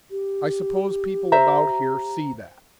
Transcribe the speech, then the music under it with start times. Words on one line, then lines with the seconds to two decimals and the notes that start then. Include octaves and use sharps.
"I suppose people about here see that."
0.11 G4
1.32 C5 E5 A#5